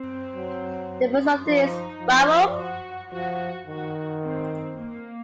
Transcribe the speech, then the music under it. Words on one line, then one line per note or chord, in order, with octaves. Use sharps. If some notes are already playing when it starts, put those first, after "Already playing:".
The first of these, Warum?
Already playing: C4
F#3
F3 D#4
F3
F#4
F3 F#4
D#3 F#4
C4
A#3